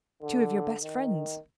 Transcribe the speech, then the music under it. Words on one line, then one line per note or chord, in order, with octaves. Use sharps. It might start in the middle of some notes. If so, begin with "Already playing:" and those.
"Two of your best friends."
D3
D#3